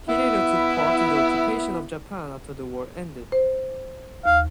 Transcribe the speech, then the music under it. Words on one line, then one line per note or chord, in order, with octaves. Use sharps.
He later took part in the occupation of Japan after the war ended.
B3 E4
C5
D#2 F5